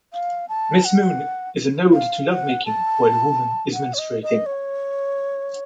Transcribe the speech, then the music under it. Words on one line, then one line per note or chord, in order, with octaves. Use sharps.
"Miss Moon" is an ode to lovemaking while a woman is menstruating.
F5
A5
F#5
F5
F#5
A5
F#5
C#5
D#5
D#5
C#5